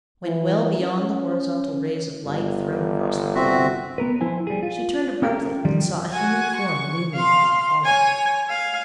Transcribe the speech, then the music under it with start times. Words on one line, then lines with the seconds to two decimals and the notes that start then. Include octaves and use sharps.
When well beyond the horizontal rays of light thrown across the pavement, she turned abruptly and saw a human form looming through the fog.
0.25 E3
0.80 C#4
2.25 G1
3.35 C4 F#4 E5
3.98 B3 A#4 B4
4.21 F3 E4 C5 G#5
4.47 G3 G#4
4.63 F4
5.22 C#4 F4 G4 A4 A#4
5.65 D#3 F3 G3
6.14 F#4 G#5
6.58 C#6
7.14 F5 C6
7.85 C#5 G#5
8.46 F5 G#5